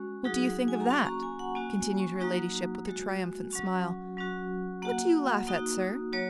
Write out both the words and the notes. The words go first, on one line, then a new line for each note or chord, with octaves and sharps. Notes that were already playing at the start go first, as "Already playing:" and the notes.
What do you think of that?' continued her ladyship, with a triumphant smile. 'What do you laugh at, sir?
Already playing: G#3 C#4 F#4
F#3 D#4 F#4 G#4
F#5
G#5
A#5
A#3 C#4 F#4 C#6
A#5
G#5
F#5
A#3 C#4 F#4 G#5
C#6
F#3 A#3 D#4 F#4 A#5
G#3 F#4
F#3 C#4 F#4
F#3 C#4 F#4
A#3 F#4 F#5
A#3 D#4 F#4
F#3 A#3 F#4 C#5